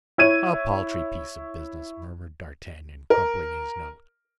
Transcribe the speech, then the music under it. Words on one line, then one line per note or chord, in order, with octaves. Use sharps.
"A paltry piece of business!" murmured D'Artagnan crumpling his note.
E4 C#5 G#6 D#7
A#4